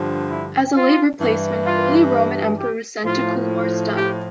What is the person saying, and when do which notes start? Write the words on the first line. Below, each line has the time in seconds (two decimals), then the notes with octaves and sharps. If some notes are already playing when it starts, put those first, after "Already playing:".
As a late replacement, Holy Roman Emperor was sent to Coolmore Stud.
Already playing: G2 D3 F3
0.29 E4
0.75 F4
1.21 G2 E3
1.66 F4
2.58 G4
3.04 A2 F3 F4
3.95 G4